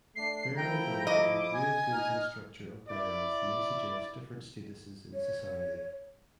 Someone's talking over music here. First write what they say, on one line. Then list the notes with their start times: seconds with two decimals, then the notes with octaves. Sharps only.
Variability in grave goods and structure of burials may suggest different statuses in society.
0.16 A3 D4 C7
0.57 F3 A3 E4 G5 A#5
1.07 D#5 D6
1.54 G#5 G#6
1.92 D#4 F6
2.89 E4 D5
5.14 C#5